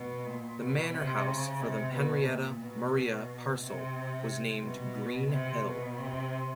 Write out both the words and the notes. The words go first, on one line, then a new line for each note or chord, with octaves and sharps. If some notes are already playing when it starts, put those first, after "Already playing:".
The manor house for the Henrietta Maria parcel was named Green Hill.
Already playing: B2
A#2
B2
C3
C#3
C3
B2
A#2
B2
C3
B2
C3
B2
C3